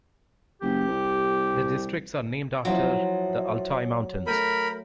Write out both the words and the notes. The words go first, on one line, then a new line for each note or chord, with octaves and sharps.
The districts are named after the Altai Mountains.
F#1 G4
C2
F3 F#3 E4 F4
A3 A#4 B5 G6 D#7